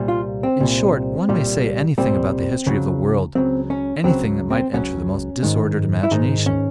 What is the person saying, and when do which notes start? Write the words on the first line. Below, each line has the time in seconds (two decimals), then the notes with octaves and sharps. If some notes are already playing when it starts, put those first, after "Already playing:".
In short, one may say anything about the history of the world--anything that might enter the most disordered imagination.
Already playing: C2 A#2 G3
0.08 F4
0.43 C4
0.60 C2 A#2 G3
1.29 C2 A#2 G3
1.98 C2 A#2 G3 C4
2.66 C#2 C#3 F#3
3.35 C#2 C#3 F#3 C4
3.70 C#4
4.04 C#2 C#3 F#3 C4
4.50 C4
4.73 C#2 C#3 F#3 C#4
5.43 G#2 D#3 G#3
6.03 E4
6.11 G#2 D#3 G#3 D#4
6.46 C#4